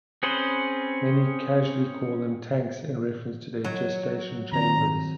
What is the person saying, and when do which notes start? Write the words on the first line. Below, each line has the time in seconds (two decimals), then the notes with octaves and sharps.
Many casually call them "tanks" in reference to their gestation chambers.
0.23 C4 C#4 G#4 B4 C5
3.64 F#3
4.53 D#3 C4 A#5